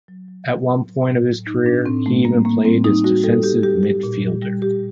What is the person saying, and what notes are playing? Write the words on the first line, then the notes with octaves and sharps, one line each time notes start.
At one point of his career he even played as defensive midfielder.
F#3
F#3
A2
F#3
F#3
A2
F#3
A2 D#4
A2 D4
A2 C4
G3 A3
G3 A#3
A2 A#3
G3 C4
G3 D#4
G3 F#4
G3 A4
G3 G4
G3 G4
G3 G4
A#2
G3
G3
G3 G4